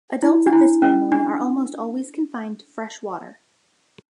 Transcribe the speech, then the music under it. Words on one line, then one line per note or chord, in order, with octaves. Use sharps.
Adults of this family are almost always confined to fresh water.
E4
D4
E4
C#4
D4